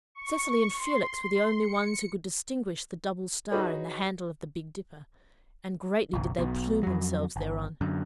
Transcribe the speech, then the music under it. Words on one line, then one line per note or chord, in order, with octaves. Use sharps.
Cecily and Felix were the only ones who could distinguish the double star in the handle of the Big Dipper, and greatly did they plume themselves thereon.
C#6
C6
C6
C#7
D#4 F#4 G#4 B4 C#5
F#1 B1
B1 B2
F2 F#3
G1
F#2 D3